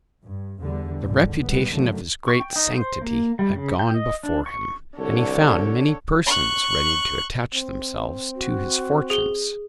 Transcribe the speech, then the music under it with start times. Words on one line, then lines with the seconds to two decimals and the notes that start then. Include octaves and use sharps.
The reputation of his great sanctity had gone before him; and he found many persons ready to attach themselves to his fortunes.
0.25 G2
0.61 E2 D3 G3
1.04 C#2 G#2 D3 G3
1.42 G3 B3
1.70 D3 D#3 F#3 A3
2.28 C#6
2.40 G5
2.56 D#4
2.77 C5
3.01 A#3
3.39 G3
3.56 C#3
3.79 G5
3.94 D#5
4.23 D4
4.46 C#6
4.99 C2 D3 A4 C#5
6.27 C#6 F#6
7.54 C4
8.35 F#4
9.10 G#4 G7